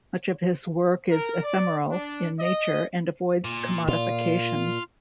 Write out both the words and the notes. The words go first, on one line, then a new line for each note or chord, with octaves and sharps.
Much of his work is ephemeral in nature and avoids commodification.
A#4
D5
D4
D#5
A#2
A#2 F4